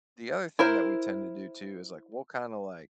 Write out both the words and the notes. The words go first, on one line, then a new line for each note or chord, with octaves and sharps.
The other thing that we tend to do too is like we'll kinda like
E4 A#4 C5